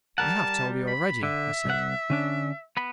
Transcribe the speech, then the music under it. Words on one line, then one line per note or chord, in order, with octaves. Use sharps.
"I have told you already," I said.
G3 A#4 F#5 A5
B5
D3 E5
C2 F#5
D3 C#4 D4
B3 B5